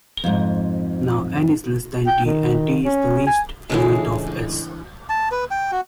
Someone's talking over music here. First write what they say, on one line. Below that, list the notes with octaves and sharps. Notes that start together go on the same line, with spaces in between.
Now "n" is less than "t", and "t" is the least element of "S".
F2 G#2
G5
D#3
C#4
G#5
C#2 A2 E3 G#3 D4
A5
B4
G5
F#4